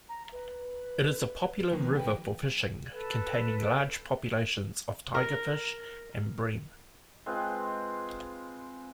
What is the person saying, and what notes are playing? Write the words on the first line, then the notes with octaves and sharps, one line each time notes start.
It is a popular river for fishing, containing large populations of tigerfish and bream.
A#5
B4
D#3 F3 A#3 B4
F#4 B4 G5
A4 B4
A#4
G#3 C4 F4 B4